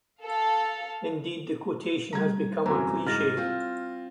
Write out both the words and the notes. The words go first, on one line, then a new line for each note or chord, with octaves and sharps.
Indeed, the quotation has become a cliche.
A4 F5
G3 A3 G4 A#5 G#6
F#2 C3 E3 F#4 B4 C5 G#5 A#5
G#2 E4 A#5 F6 A6 A#6
C4 F4